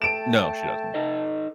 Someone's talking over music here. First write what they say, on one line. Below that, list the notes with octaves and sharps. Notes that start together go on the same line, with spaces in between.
No, she doesn't. She
A3 G5 A5 D7 E7
D#4 A4 D#5